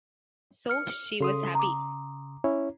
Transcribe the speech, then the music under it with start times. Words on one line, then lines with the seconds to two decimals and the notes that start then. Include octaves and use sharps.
So she was happy.
0.69 F6 C#7
1.20 C#3 A4 C6 D#6
1.55 A#5 D6
2.44 C#4 E4 C#5